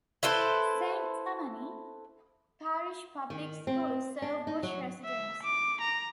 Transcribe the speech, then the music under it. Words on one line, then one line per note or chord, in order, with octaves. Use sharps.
Saint Tammany Parish Public Schools serves Bush residents.
E4 A4 B4 C5
D#3
C4
D4
D#4
F#3
E5
D6
A#5